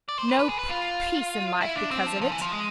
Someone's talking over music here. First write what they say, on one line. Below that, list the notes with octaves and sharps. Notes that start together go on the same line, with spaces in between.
No p--peace in life because of it.
D5
C5
B4
B4
G#4
B4
F4
E4
D4
C4
F3
F3
E3
F3
G#3